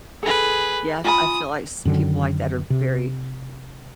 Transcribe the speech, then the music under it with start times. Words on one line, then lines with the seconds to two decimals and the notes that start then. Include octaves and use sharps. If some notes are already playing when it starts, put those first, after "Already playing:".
Yeah, f I feel, like, s people like that are very
0.23 G#4 A4 B4
1.05 F4 G#5 B5 D#6
1.85 F#2 D3 D#3
2.70 C3